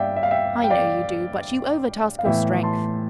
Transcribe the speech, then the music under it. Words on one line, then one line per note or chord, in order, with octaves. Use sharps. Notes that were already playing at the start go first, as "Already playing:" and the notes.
'I know you do, but you overtask your strength.
Already playing: G2 D5 E5 F5 G5
E5
F5
E5 G5
G5
D5 F5
F5
A2 E3 B3 E5 G5
A5 C6